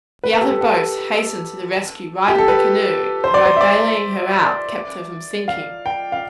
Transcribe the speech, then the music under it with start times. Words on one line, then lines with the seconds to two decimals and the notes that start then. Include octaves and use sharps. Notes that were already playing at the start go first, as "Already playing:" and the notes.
The other boats hastened to the rescue, righted the canoe, and by baling her out kept her from sinking.
0.24 B4
0.33 A4
0.41 G4
0.50 A4
0.61 A4
2.28 G4
2.38 A4
2.48 B4
3.24 C5
3.34 D5
3.46 C5
3.57 E5
3.61 D5
5.48 F5
5.86 G5
6.12 F5